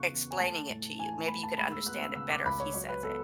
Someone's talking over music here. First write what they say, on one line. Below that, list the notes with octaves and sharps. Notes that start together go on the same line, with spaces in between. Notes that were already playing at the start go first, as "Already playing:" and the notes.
explaining it to you. Maybe you could understand it better if he says it,
Already playing: E2 C#3 C#6 F#6
E2
G#5
A3 A5
A2
E3 G#5
G#5
A2 B5
A5
G#3 B5
E6
B3 F#6
E6
C#3 E6
D6
C#2 B5
C#5
F#3 C#5
B4
B3 A4